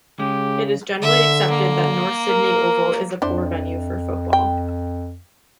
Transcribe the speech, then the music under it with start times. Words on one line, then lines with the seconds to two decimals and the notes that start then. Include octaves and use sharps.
It is generally accepted that North Sydney Oval is a poor venue for football.
0.19 C#3 G#3 G4
1.02 D3 E5
1.50 A#3
2.28 A#4
3.22 F2 D4 E4 C5
4.33 G5